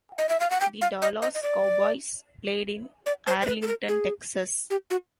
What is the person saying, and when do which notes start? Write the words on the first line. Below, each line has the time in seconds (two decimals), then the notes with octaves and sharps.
The Dallas Cowboys play in Arlington, Texas.
0.18 D#5
0.29 E5
0.40 F5
0.51 F#5
0.61 G5
0.81 F5
1.02 D#5
1.22 D#5
1.35 D#5
1.43 D5
3.06 D5
3.27 C5
3.42 C5
3.47 B4
3.62 A4
3.68 A#4
3.88 G#4
4.70 G4
4.90 F#4